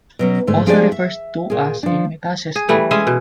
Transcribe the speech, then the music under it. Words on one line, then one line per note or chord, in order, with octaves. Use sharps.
Also referred to as a metacestode.
B2 F#3 C#4
G#2 D3 A3
F3 D4 G4 G#4 B4 D5
E5
A#2 G#4
F3 D4
G#4
E3 G3 A3
G#3 C#4 G#4 E5
B2